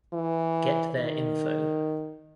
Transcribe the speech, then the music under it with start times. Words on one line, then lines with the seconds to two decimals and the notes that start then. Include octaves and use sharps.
Get their info.
0.13 E3
0.98 D#3